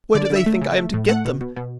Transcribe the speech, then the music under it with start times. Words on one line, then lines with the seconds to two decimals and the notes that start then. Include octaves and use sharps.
Where do they think I am to get them?
0.15 D3 D5
0.25 D5
0.30 D3
0.36 E5
0.46 A3
0.61 C#3
0.77 A3
0.94 A2
1.09 A3 F#5
1.25 B2
1.41 B2
1.56 B2